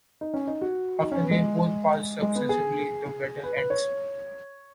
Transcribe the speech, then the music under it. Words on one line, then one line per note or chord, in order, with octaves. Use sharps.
After they both pass successively the battle ends.
D#4
C#4
D#4
F#4
D#4
C#4
B3
G#3
G#3
B3
G#4
B4
B4
C#5